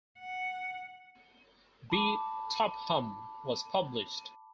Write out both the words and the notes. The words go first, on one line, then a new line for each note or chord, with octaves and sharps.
B. Topham was published.
F#5
A5 B5 D6